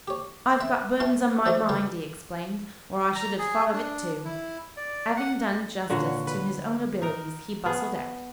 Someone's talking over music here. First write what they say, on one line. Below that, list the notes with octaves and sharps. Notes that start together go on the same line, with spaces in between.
"I've got burdens on my mind," he explained, "or I should have thought of it too." Having done justice to his own abilities, he bustled out.
G4 C#5
E5
E4 F4 F5 G5 A5 C6
F3 F#3 A3 D4 D#4 F4
C#2 C#3 B4 G5 A5
A#5
G#4
D4
E4
D5
F#5
A#2 D3 F#4 C#5
B4
D#4 A#4
B3 G#4